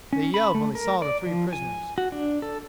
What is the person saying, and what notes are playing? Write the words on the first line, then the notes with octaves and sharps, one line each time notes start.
They yelled when they saw the three prisoners.
C#4
B5
A3
A#4
D5
F3
G#5
F#4
D4
A4